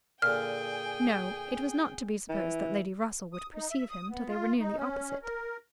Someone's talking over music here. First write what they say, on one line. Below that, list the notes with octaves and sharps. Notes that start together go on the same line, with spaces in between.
No, it was not to be supposed that Lady Russell would perceive him till they were nearly opposite.
A#2 D3 G#4 G5 G#5 F6
E3
D#6
D#4
E5
D#6
B3
F4
D#4
C#4
A#4